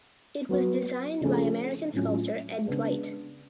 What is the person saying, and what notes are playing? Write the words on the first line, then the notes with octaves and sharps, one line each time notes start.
It was designed by American sculptor Ed Dwight.
F#3 B3 F#4
C#3 F3 A3 C#4 G#4
A2 F#3 C#4 F4
C#3 G#3 B3 D4 G#4